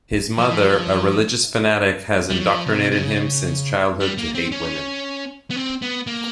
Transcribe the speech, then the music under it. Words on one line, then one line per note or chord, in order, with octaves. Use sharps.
His mother, a religious fanatic, has indoctrinated him since childhood to hate women.
F3
E3
F3
G3
F#3
F3
C#3
C3
C3
C#3
G3
A#3
C4
C#4
B3
C4
B3
A#3